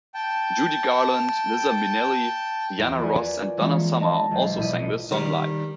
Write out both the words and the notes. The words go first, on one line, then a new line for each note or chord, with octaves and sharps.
Judy Garland, Liza Minnelli, Diana Ross and Donna Summer also sang this song live.
G5 A5
E2 F3 D7
F4 F#4 A#4 B4 D5 G#5
E3 F3 G#3 A#3 C#4 F4
D#5 A5
B1 C5
A#1 B2 E4 D#6 D#7
D#3 G3